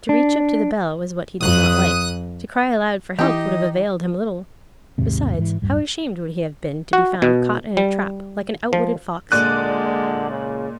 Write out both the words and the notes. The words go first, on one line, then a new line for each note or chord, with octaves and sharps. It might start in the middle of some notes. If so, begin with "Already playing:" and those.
To reach up to the bell was what he did not like; to cry aloud for help would have availed him little; besides, how ashamed would he have been to be found caught in a trap, like an outwitted fox!
D4
F2 D#6 F#6 D#7
E3 D#4 E4 G4 D#5
A#1 D#2 G#2 C3
G#2 E3
D1 G2 G3
F#4
B2
G3
F3
A#2 D3 G#3 D5 F#6 D#7
C#3